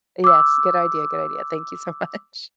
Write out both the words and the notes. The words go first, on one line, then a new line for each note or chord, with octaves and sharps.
Yes, good idea, good idea, thank you so much.
D6 E6